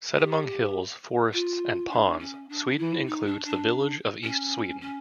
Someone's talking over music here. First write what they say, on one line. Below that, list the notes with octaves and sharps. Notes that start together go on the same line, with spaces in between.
Set among hills, forests and ponds, Sweden includes the village of East Sweden.
G4
F4
D4
C#4
D4
E4
D#4
D4
D4
C#4
C#4